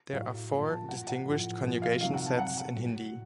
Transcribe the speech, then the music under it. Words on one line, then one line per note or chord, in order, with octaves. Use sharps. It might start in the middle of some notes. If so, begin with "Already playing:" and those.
There are four distinguished conjugation sets in Hindi.
A2 F#3 F5
A#2 F3
A5
A#2 F#3 F#5
F#5
A2 F3
A#2 F3
F5
C3 D#3 F#3 F5
F#5
A5
C3 F#3 F#5
F#5
A2 F#3